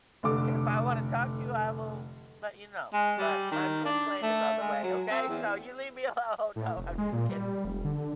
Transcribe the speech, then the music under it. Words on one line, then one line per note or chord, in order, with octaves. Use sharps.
if I wanna talk to you, I will let you know, but my twin flame is on the way, okay? So you leave me alone. No, I'm just kidding.
F1 D3 A4 D6
G#3
G3
D#3
D4
A3
G#3
F#3
C4
E2
A2
F1
G#3
A#2
G3
F1
D3